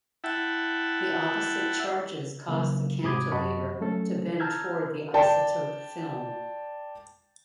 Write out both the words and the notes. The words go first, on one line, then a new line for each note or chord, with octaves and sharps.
The opposite charges cause the cantilever to bend toward the isotope film.
E4 E5 F#5 G5 A5
C#3 F#3 A#3
G#2 C3 B5 D6 D#6 G#6
F#2 F#4 D#5 A5 B5 C#6
F#3 A3 C#4 A4
A5 A#5 E6 F6 G6 G#6
D5 G5 A5